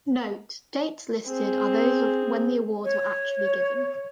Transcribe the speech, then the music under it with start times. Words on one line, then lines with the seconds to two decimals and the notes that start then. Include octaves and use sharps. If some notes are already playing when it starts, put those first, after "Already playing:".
Note: Dates listed are those of when the awards were actually given.
1.27 C4 G#4
2.84 C#5